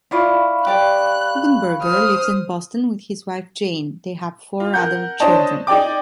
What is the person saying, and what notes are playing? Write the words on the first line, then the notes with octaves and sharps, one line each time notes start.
Hugenberger lives in Boston with his wife Jane; they have four adult children.
E4 F4 D5 F5 B5 C#6
G4 D5 G5 F#6
C5 D#6 F6
F4
A#4 F#5 G6
D4 C5 C#5 D#5 A5
D#4 G#4 D5 G5 D6